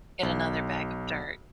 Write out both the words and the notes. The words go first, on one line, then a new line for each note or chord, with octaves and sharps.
get another bag of dirt.
B1